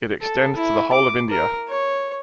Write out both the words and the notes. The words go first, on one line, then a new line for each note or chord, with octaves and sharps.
It extends to the whole of India.
A4
E4
D6
A#4
C#5